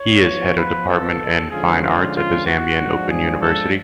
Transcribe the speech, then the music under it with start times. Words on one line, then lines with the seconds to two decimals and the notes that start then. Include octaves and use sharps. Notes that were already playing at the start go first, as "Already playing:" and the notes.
He is Head of Department in Fine Arts at the Zambian Open University.
Already playing: C#5
0.23 F3 B3 F4
0.56 B4
0.88 A4
1.51 D3 F3 G#3 C#4 F4 G#4
1.82 F4
2.15 F4
2.46 F#4
2.78 G#2 F3 G#3 D4
3.10 G#4
3.41 A4